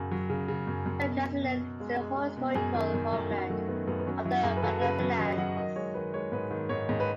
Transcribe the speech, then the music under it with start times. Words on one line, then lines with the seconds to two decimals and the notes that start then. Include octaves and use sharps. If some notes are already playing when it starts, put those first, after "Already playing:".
Pangasinan is the historical homeland of the Pangasinans.
Already playing: F#2 C#3 F#3
0.11 F#3
0.30 C#3
0.48 C#3
0.67 F#2
0.86 F#2
1.05 B2
1.23 B2
1.43 B2
1.61 B2
1.80 G#3
2.00 G#3
2.17 G#3
2.37 B2
2.55 F#2 G#4
2.75 D#3
2.94 F#2
3.13 F#2
3.30 F#2 F#4
3.50 F#3 A3
3.68 D#3 B3
3.87 F#2 B3
4.00 B3
4.07 F#3 C#4
4.25 F#3 E4
4.43 F#2 G#4
4.57 B4
4.63 F#3 A4
4.81 C#3 B4
5.00 F#3
5.19 F#3 D#5
5.38 F#3 F#5
5.57 D#3 D#5
5.75 G#3 C#5
5.94 D#3 B4
6.14 G#3 C#5
6.32 G#2 B4
6.51 D#3
6.69 G#2 C#5
6.89 G#2
7.00 B4